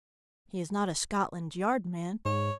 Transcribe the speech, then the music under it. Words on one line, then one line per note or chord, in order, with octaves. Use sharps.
He is not a Scotland Yard man.
G#2 C#5